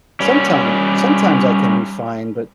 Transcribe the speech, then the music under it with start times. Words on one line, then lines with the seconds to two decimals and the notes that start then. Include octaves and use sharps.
Sometime sometimes I can be fine but,
0.20 G3 C#4